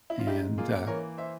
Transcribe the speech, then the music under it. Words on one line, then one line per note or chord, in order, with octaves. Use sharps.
and, uh,
E4
F4
G#2 E4 G4
A#3 F4 G#4
E3 A#4 C#5
C5 E5